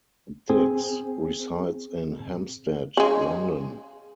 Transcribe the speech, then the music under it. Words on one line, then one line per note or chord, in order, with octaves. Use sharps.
Dicks resides in Hampstead, London.
C4 G#4
C#3 G#3